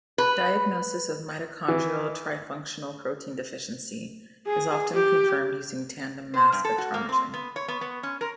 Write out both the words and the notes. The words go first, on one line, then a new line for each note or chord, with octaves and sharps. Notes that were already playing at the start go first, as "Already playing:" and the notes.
Diagnosis of mitochondrial trifunctional protein deficiency is often confirmed using tandem mass spectrometry.
B4
E3
G#4
G4
C5
G2
A4
F#4
A#3
C4
B3
C#5
B3
B3
C#4
A#4